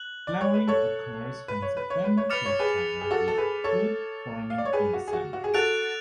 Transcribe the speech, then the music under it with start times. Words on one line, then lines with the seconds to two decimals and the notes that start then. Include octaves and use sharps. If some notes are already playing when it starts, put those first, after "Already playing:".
Flowering occurs from September to October with fruit forming in December.
Already playing: F#6 F#7
0.27 D5
0.41 C#5
0.54 B4
0.67 A4 C#5
1.48 B4
1.62 C#5
1.77 B4
1.90 C#5
2.04 B4
2.17 C#5
2.30 B4 D6 F6 A6 C#7 F7
2.45 C#5
2.59 G#4 B4
3.01 G#4
3.11 F#4 A4
3.28 A4
3.38 G#4 B4
3.64 A4 C#5
4.50 F5
4.58 D5
4.65 C#5
4.73 G#4 B4
4.93 F#4
5.08 G#4
5.13 F#4
5.33 F#4
5.44 G#4
5.54 F#4 A4 F#6 A6 D7 F7